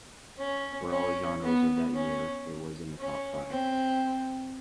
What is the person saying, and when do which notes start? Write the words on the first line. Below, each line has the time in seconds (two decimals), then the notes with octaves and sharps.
For all genres of that year, it was in the top five.
0.38 C#4
0.90 C#4
1.42 B3
1.93 C#4
2.98 C#4
3.50 C4